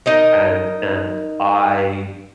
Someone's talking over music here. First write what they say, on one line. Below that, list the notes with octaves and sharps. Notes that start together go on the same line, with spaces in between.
and and I
D#4 A#4 D#5